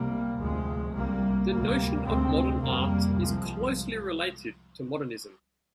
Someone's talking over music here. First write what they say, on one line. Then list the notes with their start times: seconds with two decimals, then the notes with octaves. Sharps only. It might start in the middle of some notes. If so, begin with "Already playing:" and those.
The notion of modern art is closely related to modernism.
Already playing: C2 C3 G3 A#3
0.39 D2 C3 F3 G#3
0.95 C2 C3 G3 A#3
1.50 D2 C3 G3 A#3
2.05 D2 C3 G#3 C4
2.60 F2 C3 G3 A#3
3.15 C2 C3 F3 G#3